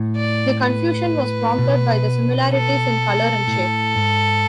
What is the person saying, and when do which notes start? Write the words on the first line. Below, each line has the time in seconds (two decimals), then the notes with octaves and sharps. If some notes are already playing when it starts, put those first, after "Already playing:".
The confusion was prompted by the similarities in colour and shape.
Already playing: A2
0.16 D5
0.63 B4
1.58 B2
2.52 A4
3.47 A2
3.95 G#2